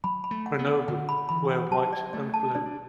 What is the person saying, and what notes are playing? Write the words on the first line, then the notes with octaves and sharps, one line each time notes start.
Grenoble wear white and blue.
F#3 B5
B5
A3
F#5
B3
F#5
D3 F#5
B5
E3 B5
F#5
F#3 A5
D5
A3 D5
A5
D4 D5
D4